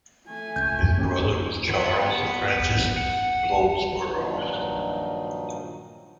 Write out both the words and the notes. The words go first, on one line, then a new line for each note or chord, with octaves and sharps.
His brother was Charles Frances Goldsborough.
A3 G#5
C#2 G6
A#3 C#4 G4
B3
F#5
G2 A#2 D#3 F3 F#3 D#4